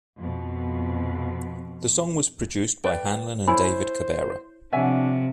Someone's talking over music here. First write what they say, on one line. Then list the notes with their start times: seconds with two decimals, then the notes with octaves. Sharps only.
The song was produced by Hanlon and David Cabera.
0.17 F2 B2
2.84 B4 D5 G5
3.48 E4 C5 C#5 G#5 B5
4.73 C3 F3 D4 C#5 E5 F#5 G#5